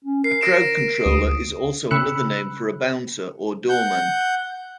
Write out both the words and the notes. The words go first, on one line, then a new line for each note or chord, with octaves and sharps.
A crowd controller is also another name for a bouncer or doorman.
C#4
A#4 C7
A#6 D7 E7
D2 D#6
C#3 B5 E6 F#6 C#7
F#5 G6